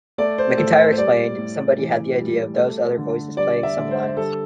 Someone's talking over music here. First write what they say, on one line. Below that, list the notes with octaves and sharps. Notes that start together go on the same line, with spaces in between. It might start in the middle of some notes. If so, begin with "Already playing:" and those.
McEntire explained, somebody had the idea of those other voices playing some lines.
A3 D5
C5
A2 A4
C5
C5
G3 D5
A2
E3
G3
A3
D3
G3 D5
E5
D3
C5
G3 A4